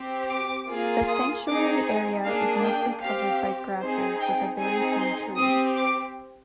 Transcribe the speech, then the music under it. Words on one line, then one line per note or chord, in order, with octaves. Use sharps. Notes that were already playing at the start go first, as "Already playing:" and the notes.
The sanctuary area is mostly covered by grasses with a very few trees.
Already playing: C4 G4
D6
A#3 F4 G#4
D#6
C4 D#4 G#4 D6
G#5
A#3 D4 G#4 F5
G5
C4 G4 F5
C4 D#4 G#4 C5
G5
C4 D#4 G#4 G#5
C6
C4 G4 D#6
D6